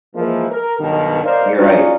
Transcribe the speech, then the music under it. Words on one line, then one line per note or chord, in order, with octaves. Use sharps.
You're right.
E3 F3 G#3 A#3
A#4
B1 G2 B2 D#3
A#4 C5 D5 D#5 F5
C#4 D#4 F4 F#4 D5